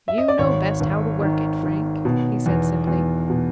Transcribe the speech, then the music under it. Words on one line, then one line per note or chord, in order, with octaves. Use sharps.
"You know best how to work it, Frank," he said simply.
E5
D#5
D5
G#1 C#5
G#1
D#3
D#3
B2
E2
E2
B2